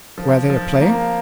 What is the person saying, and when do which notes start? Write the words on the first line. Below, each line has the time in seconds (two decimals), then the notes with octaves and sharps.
"Where they are playing?"
0.18 F3
0.50 F3
0.81 A#3